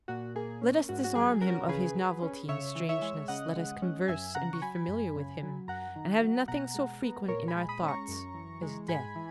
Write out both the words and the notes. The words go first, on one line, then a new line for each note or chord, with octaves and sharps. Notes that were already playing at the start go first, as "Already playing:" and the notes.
Let us disarm him of his novelty and strangeness, let us converse and be familiar with him, and have nothing so frequent in our thoughts as death.
A#2 F#4
A#3 G#4
C#4
G#2 F#4
F#4
F#3 G#4
C#4 F#4 A#4
C#3 G#4 B4
F#3
C#4
C#3 C#5 E5
E3
C#5 E5
G#3
C#3 D#5 F#5
G#3
C#4
F#2 E5 G#5
C#3 F#5 A#5
C#6
F#3 G#5 B5
F#2
C#3
F#3
F#2 F#5 A#5
D#3
F#3
B2 F#5 A#5
G#3
B3
A#2 A#4 C#5
G#5 B5
G#3
B5 D#6
C#4
A#5 C#6
F#2
E3
G#3
G#2 G#5 B5
E3